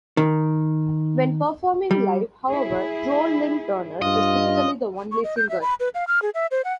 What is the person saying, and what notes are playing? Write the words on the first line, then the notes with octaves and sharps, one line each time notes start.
When performing live, however, Joe Lynn Turner is typically the only singer.
D#3
G3
E4 G#4
G2 F4 D#5
C#6
D#5
G6
E5
B5
B4
F5
F6
G#4
E5
C5
F#5